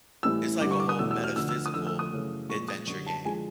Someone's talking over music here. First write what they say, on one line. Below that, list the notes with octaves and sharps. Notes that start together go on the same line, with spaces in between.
it's, like, a whole metaphysical adventure game.
A2 E3 G3 E6
G2 D3 G3 D6
C#6
D6
D#6
E2 B2 F#3 A3 E6
E6
F6
D2 D3 F3 E6
E6
D#6
F2 D3 F3 A3 E6
E6
D#6
F#2 C#3 E3 A3
A#2 F3 G#3 C#6
D#6
F#2 D3 G3 C#6
A5
D3 F3 G#3 G#5